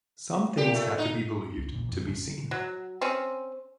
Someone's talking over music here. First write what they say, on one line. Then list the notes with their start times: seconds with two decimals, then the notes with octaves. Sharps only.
Some things have to be believed to be seen.
0.57 A#2 G4
0.74 A3
0.98 D#4
1.57 C#2
1.72 A#1 E2 A#2
1.89 F#2 C3 E3
2.06 G1 F2 A2 C#3
2.51 F#3
3.01 C4 C#4